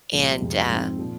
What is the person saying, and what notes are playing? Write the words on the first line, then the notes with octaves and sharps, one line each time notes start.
and, uh,
C2 A#2 F3 G#3
F2 C3 G#3 C4
G#2 F3 C4
A#2 F3